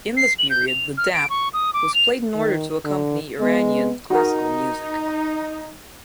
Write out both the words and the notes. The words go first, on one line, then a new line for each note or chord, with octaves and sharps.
In this period the "dap" was played in order to accompany Iranian classical music.
C7
F#7
G6
F7
F6
D7
C#6
D#6
D6
F7
D#3
D3
G#3 B3
D#4 F#4 G#4 A#4